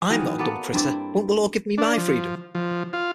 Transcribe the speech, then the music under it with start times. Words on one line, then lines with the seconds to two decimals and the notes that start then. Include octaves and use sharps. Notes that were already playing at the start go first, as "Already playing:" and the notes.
I'm not a dumb critter; won't the law give me my freedom?
0.09 D#3 E3 F#3 B3
0.38 A#3 B3 A4 D5
0.73 G2 C4 E4 D5
1.78 D4
1.98 F3
2.55 F3
2.93 F4